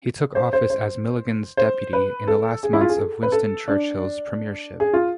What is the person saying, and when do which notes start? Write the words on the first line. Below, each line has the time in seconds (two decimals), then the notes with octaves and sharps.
He took office as Milligan's deputy in the last months of Winston Churchill's premiership.
0.35 C5
0.53 C5
0.70 C5
1.57 C5
1.93 B4
2.28 A4
2.63 G#4
2.73 E4
2.81 F4
2.90 G#4
2.97 A4
3.23 B4
3.32 A4
3.68 D4
4.80 G#4
4.93 F4